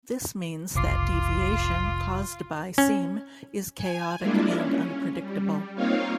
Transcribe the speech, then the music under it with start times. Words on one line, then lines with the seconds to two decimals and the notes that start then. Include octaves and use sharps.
This means that deviation caused by seam is chaotic and unpredictable.
0.75 F1 B1 F4 D6 C7
2.78 C#4
3.78 G#5
4.19 G3 G#3 A#3 D4 E4 F4
4.56 C#4
5.21 G3
5.75 A#3 C4 D#4 F4 C#5 F5